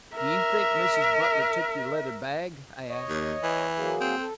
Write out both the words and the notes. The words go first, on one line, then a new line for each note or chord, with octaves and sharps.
"Do you think Mrs. Butler took your leather bag?" I asked.
A#4 E5
C#5 D#5
D#2
E3
F#3 A#3 G#4
C4
A4